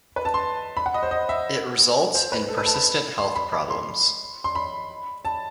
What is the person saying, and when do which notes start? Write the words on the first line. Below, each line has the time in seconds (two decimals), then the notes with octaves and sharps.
It results in persistent health problems.
0.16 B4
0.25 A5
0.34 C6
0.77 B5
0.86 F#5
0.94 D#5
1.03 C5
1.11 D#5
1.29 E5
2.14 C5
2.32 B4
2.48 A4
2.58 B4
2.66 A5
2.74 B5
3.18 C6
3.36 B5
3.53 B5
3.70 C6
4.44 C6
4.55 B5
5.25 A5